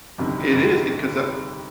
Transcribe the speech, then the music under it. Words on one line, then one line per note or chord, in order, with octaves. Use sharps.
It is it 'cause the
G1 F2 C3 D#3
G1 F2 C3 D#3